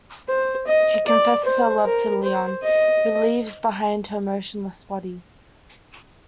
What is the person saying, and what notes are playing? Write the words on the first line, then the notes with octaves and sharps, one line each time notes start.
She confesses her love to Leon, who leaves behind her motionless body.
C5
D#5
D5
C5
A#4
C5
D#5